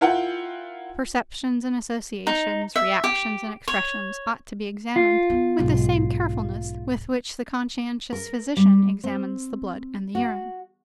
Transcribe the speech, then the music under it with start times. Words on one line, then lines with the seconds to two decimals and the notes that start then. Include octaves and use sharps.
Perceptions and associations, reactions and expressions ought to be examined with the same carefulness with which the conscientious physician examines the blood and the urine.
0.01 E4 F4 A#4 F#5 G5
2.27 D#4
2.76 E5
3.04 G4
3.68 C#5
4.96 F4
5.30 B3
5.59 B1 G#2
8.13 A#4
8.57 G3
9.04 C4
10.15 F#4